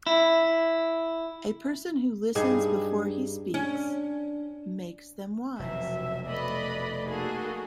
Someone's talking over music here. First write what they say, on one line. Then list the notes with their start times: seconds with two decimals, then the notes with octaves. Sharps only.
A person who listens before he speaks, makes them wise.
0.07 E4
2.35 G2 D4 D#4 G#4
3.54 C#4 D4
5.59 F1 B2 F#3 E5
6.28 A3 B4 D5 D#5 B5
7.07 A#3 D#4 F#4 G#4 A4